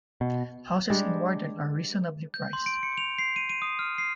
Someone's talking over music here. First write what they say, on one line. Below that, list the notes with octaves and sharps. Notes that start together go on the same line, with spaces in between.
Houses in Warden are reasonably priced.
B2
G3 G#3 D4
G6
C6
D7
C#7
F7
C7
D#7
D#7
D#6
F6
C7